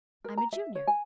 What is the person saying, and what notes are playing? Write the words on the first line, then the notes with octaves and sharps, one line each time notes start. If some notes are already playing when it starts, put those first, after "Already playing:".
I'm a Junior.
A#4
A#5
E5
C#5
G#5